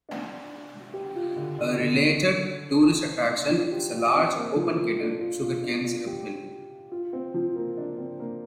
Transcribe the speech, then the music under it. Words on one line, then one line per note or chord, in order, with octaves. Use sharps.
A related tourist attraction is a large open-kettle sugarcane syrup mill.
D4
G4
F4
D3
D3
D3
F3
G4
F4
C4
A#3
F3
F3
D4
F4
F4
D4
F4
G4
F4
C4
F3
A#3
D4
C4
A#3